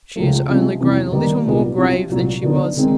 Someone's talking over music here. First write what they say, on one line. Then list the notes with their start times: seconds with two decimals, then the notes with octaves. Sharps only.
"She is only grown a little more grave than she was."
0.16 C#2 C#3 F3 A3
0.48 C3 F3 G#3 C#4
0.80 E2 C3 E3
1.12 D#3 G3 B3
1.45 C2 A#2 G3 B3 D#4
1.77 C2 C3 F3
2.10 C2 A#2 F#3
2.42 D3 F#3 B3 D#4
2.76 D#3 G#3 C4 D#4